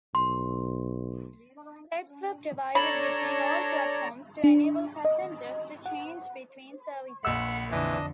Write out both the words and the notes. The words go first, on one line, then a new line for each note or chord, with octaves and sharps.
Steps were provided between all platforms, to enable passengers to change between services.
B1 C6
D4 A4 C#5 D5 A#5 B5
D4
D#5
F#5
A#1 F#5 B5 E6
F2 D3 E3 D4 D#5